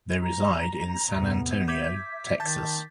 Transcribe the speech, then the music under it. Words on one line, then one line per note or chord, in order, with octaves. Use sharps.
They reside in San Antonio, Texas.
A#5
E2 A2 C3 B3
E5 D6 G6 G#6 B6
D#3 A5 G6 A6